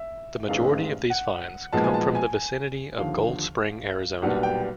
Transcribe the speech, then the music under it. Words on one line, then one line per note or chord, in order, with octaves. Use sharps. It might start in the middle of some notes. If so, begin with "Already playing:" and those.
The majority of these finds come from the vicinity of Gold Spring, Arizona.
Already playing: E5
A1 G#2 E3 G#3 C#4 F5
F#5
B1 A#2 F3 G#3 B3 A5
G#5
A5
G#5
G#5
D#2 D3 F3 F5
B1 A#2 G3 B3 D4 F#5
G5